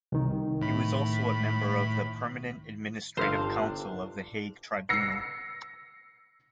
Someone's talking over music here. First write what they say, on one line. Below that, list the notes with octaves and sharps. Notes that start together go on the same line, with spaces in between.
He was also a member of the Permanent Administrative Council of The Hague Tribunal.
C2 D#3
A2 B5
G1 C3 D#3 D4 C5 F5
E6 A#6 C7 C#7